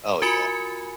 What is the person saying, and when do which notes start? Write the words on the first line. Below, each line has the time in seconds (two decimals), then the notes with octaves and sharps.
Oh, yeah.
0.22 F4 F#4 A#4 G#5 B5 C#7